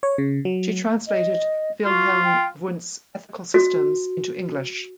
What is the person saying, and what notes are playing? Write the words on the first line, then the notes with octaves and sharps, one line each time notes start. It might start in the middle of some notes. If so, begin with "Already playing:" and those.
She translated Wilhelm Wundt's "Ethical Systems" into English.
C#5
C#3
F#3
D#5
F4 F#4
G5
F#4